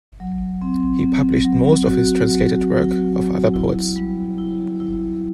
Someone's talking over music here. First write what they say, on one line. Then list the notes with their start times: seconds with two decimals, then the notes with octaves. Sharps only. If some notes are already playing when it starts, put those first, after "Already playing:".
He published most of his translated work of other poets.
0.20 F#3
0.62 C4
1.04 C4
1.45 F#3
1.87 F#4
2.29 F#3
2.70 F#3
3.13 F#3
3.54 E4
3.96 G3
4.38 E4
4.80 E4